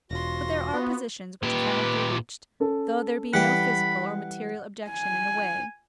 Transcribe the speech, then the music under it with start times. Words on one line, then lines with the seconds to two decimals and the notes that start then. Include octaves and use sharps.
But there are positions which cannot be reached, though there be no physical or material objection in the way.
0.11 E1 F3 F4 F#4 C6 A#6
0.73 B3
1.43 A#2 G4 B4
2.60 C#4 A4
3.33 E3 G3 F#5 G5 B5
4.91 G#5